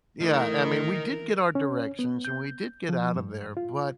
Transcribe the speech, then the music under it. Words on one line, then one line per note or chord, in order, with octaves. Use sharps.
yeah, I mean, we did get our directions and we did get out of there, but
A2 D#3 E3 D#4 A#4
C#4
B3
G6
F3
G2
F4